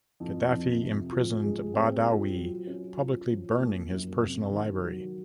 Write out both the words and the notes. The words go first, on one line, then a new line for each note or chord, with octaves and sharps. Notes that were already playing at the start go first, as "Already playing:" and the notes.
Gaddafi imprisoned Badawi, publicly burning his personal library.
F2
F2
C3
F3
G#3
C4
F4
F#3
C#4
F4
F3
A#3
F#2
C3
D#3
F#3